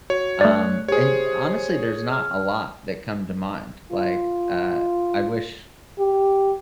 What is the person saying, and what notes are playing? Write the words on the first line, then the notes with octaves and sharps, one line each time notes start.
um, and, honestly, there's not a lot that come to mind, like, uh, I wish
F#4 C#5
A3 D5 F#6
G4 G#4 C5 C#5
F6
F4
G4